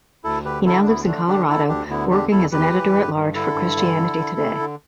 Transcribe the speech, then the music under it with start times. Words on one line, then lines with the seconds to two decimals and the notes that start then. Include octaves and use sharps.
He now lives in Colorado, working as an editor-at-large for "Christianity Today".
0.24 D2 E4 A4
0.45 D3 G4 B4
0.66 D3 E4 A4
0.82 D4
0.86 D2 B3 E4
1.07 D3 A3 D4
1.28 D3 D4 G4
1.49 D3 E4 A4
1.69 D2 D4 G4
1.90 D3 B3 E4
2.10 E2 D4 G4
2.31 E2 E4 A4
2.52 E2 G4 B4
2.73 E3
2.93 G2
3.14 G2
3.35 D3 E4 A4
3.55 G2
3.76 D3
3.97 D3
4.18 D3
4.38 D3
4.59 D3